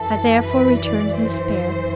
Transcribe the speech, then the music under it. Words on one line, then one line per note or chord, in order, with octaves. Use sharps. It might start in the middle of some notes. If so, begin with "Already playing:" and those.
I therefore returned in despair.
Already playing: F#2 E3 A4
B4
D5
C5